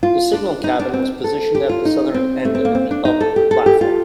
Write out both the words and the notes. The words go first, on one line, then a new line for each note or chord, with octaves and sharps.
The signal cabin was positioned at the southern end of the "up" platform.
F4
D4
D#4
D4
C4
A4
G4
F4
D#4
C4
A3
C4
A#3
C4
D4
D#4
A4
G4
A4
G4
F4